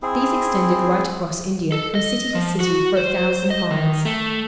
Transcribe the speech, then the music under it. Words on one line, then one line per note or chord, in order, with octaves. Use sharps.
These extended right across India, from city to city, for a thousand miles.
C4 E4 G#4
A4
D#5
F3
F#4
C5
D#5
D#3
A3